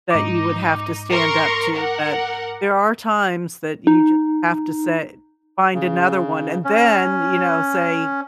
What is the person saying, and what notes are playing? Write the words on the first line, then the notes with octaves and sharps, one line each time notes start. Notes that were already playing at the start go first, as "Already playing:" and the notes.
that you would have to stand up to. But there are times that you just have to say "Find another one," and then, you know, say,
G#2 D#4 D6
A#4 C6 C#6
A#4 F#5
D#4
C#3
C#4